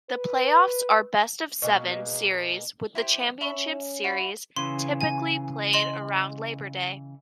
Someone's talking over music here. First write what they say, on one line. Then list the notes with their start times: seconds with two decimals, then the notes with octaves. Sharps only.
The playoffs are best-of-seven series with the Championship series typically played around Labour Day.
0.10 B4
1.62 B2 G#3 A#3
2.95 E4 G4 C5
3.41 C#4 E5 B5 C#6
4.04 E4 F#4 B5
4.56 C#3 E3 C6
5.01 G#5
5.73 D#5 C6 F#7